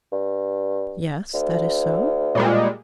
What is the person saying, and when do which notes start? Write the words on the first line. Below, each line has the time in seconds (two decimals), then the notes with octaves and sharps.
"Yes, that is so."
0.12 G2
1.33 D2
2.35 A#2 G3 G#3